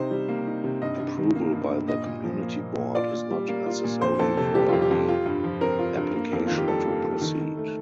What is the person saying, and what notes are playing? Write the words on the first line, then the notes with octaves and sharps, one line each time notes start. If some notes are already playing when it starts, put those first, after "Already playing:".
Approval by the community board is not necessary for the application to proceed.
Already playing: C3 D#4 C5
G3
A#3
D#4
C3
G2 D#5
G2
D#3
A#3
G2
G2
A#2 D#5
A#2
F3
A#3
A#2
A#2
F4 D5
A#2
G3
A#3
F4
A#2
F2 C5
F2 A4
C3 A4
G3 G4
F2 F4
G4
F2
F4
G2
F3
C4 A#4
F4
G2
A#3
F2
D#3 F4
G4
G3 A4
A#3
F2
D#3
D#3
A3